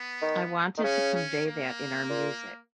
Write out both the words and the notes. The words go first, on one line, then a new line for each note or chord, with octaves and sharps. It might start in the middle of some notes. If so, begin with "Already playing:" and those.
I wanted to convey that in our music.
Already playing: B3
D#3
D#3
C#3 C#4
C#4
A#3
A#2